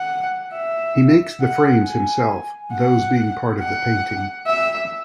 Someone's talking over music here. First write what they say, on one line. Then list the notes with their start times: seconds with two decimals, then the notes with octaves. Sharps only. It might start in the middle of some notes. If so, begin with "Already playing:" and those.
He makes the frames himself, those being part of the painting.
Already playing: F#5
0.53 E5
1.41 F#5
1.84 G#5
2.72 F#5
3.59 F#5
4.47 E5